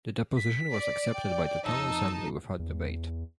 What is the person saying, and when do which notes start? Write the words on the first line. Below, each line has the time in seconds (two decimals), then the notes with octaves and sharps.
The deposition was accepted by the town assembly without debate.
0.37 B6
0.71 D5
1.13 G5
1.64 F2 D#4 A5 E6
2.59 E2